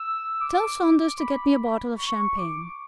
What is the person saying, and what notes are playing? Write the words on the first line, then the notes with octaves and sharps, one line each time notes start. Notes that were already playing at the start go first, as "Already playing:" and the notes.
Tell Saunders to get me a bottle of champagne.
Already playing: E6
D6
B5
C#6
D6